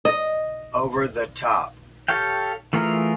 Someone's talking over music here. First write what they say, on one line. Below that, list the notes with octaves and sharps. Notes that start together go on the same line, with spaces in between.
Over the Top!
D#5
G4 A4 C#5 F5 G5
E3 A3 F4 G#4 A#4